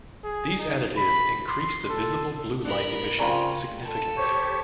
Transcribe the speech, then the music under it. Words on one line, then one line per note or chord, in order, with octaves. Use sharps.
These additives increase the visible blue light emissions significantly.
G#4
D#4
B5
C6
A4
D4 A#4 B5
C#3 C4 F4 D5 A#5
A4
G4 C5 C#5 C#6